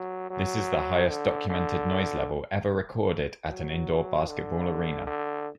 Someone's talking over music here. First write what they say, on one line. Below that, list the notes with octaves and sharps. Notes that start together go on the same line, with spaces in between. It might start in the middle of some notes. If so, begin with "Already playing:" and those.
This is the highest documented noise level ever recorded at an indoor basketball arena.
Already playing: F#3
F#3
D3
D3
F#3
D3
D3